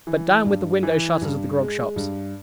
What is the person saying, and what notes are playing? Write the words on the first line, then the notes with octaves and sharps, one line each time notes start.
But down with the window-shutters of the grog shops.
E3
G2
E3
G2
G#3
G2